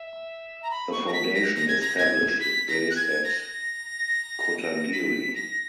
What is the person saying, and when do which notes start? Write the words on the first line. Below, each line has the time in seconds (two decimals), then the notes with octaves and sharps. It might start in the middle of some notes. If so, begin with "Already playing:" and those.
The foundation established its base at Kotagiri.
Already playing: E5
0.63 A#5
0.71 B5
0.92 C#6
1.07 A#6
1.13 B6
1.34 A#6
1.55 A#6
1.68 G#6
1.81 A#6
1.98 G#6
2.40 B6
2.68 A#6
2.90 F#6
2.96 G#6
3.24 A#6
4.92 B6
5.35 A#6